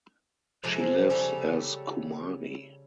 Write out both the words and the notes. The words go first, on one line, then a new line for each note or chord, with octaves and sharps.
She lives as kumari.
F2 C3 G#3 A4 A#4 C5
C#3 G3 C#4 A4